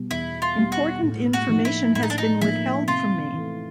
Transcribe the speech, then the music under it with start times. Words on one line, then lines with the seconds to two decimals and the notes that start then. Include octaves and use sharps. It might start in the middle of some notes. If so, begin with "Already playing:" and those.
Important information has been withheld from me.
Already playing: B2 G3
0.10 E2 E4
0.42 F4
0.57 B2 G3
0.72 F#4
1.02 A2
1.33 F#4
1.49 F3 A#3 D#4
1.65 E4
1.95 A2 E4
2.03 D#4
2.10 D4
2.18 D#4
2.41 F3 A#3 D#4 E4
2.88 C3 F4
3.34 E3 A3